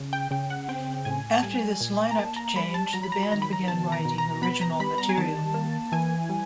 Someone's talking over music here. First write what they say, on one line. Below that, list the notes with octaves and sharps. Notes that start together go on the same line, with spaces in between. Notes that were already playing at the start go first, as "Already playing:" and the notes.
After this lineup change, the band began writing original material.
Already playing: C#3
G5
C#3 G5
F#5
C4 G5
A2 G#5
A5
G3 G#5
A#2
A#5
A#3 A5
A#5
G3 B5
A5
F#3 A#5
B5
A#5
B5
D#3 A#5
B5
A#5
B2 A5
A#5
B2
A#5
B3 B5
A#5
G3 B5
A#5
G#5
D#3 A5
A#3
E3 G#5
G3